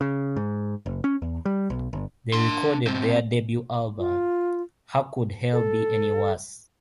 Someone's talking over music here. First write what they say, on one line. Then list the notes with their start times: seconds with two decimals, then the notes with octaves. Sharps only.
They recorded their debut album, How Could Hell Be Any Worse?
0.01 C#3
0.36 G#2
0.86 F#1
1.04 C#4
1.22 E2
1.45 G3
1.70 B1
1.93 G1
2.34 D4 C6
2.87 B2 C4
3.98 F4
5.53 A4